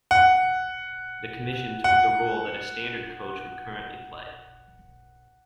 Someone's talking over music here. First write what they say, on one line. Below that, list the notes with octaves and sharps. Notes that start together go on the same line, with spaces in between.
The Commission took the role that a standard coach would currently play.
F#5
F#5